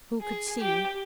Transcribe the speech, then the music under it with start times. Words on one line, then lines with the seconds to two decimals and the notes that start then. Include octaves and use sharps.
Who could see?
0.21 G#4
0.60 G4